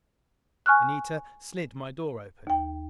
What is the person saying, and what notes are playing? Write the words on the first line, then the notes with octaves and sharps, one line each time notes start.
Anita slid my door open.
G#5 C#6 F6 F#6
D#2 G5